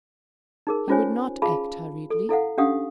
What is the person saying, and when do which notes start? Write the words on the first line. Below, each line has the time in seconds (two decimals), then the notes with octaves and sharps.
He would not act hurriedly.
0.67 D#4 G#4 A#4
0.88 C#4 D#4 F4 C5 C#5 G#5
1.42 F4 G#4 F5 A5 B5
2.10 A4
2.29 E4 A4 F5 F#5
2.58 C#4 D4 G4 F5 F#5 D#6